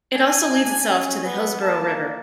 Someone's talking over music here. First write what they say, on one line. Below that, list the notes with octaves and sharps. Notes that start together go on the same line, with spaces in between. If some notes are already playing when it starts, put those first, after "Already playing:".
It also leads itself to the Hillsborough River.
D4 G#5
C#4
B3
A#3 A5